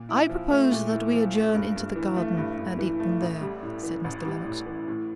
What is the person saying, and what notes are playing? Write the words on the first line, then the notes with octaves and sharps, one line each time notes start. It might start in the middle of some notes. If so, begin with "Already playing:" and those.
'I propose that we adjourn into the garden, and eat them there' said Mr. Lennox.
Already playing: A#2
E4
F3
A3
A#2
E4
F3
A3
G2
G2
E3
A3
G2
G2
E3
A3
A1
G3
A2
E3
A1
G3
A2
E3
A2